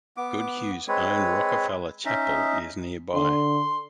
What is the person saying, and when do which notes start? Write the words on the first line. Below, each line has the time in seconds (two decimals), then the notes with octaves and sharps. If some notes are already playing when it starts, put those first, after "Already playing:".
Goodhue's own Rockefeller Chapel is nearby.
0.17 B3 D6
0.88 G#3 C4 B4 C#5
2.05 C#4 D#4 D#5 E5
3.14 D3 C6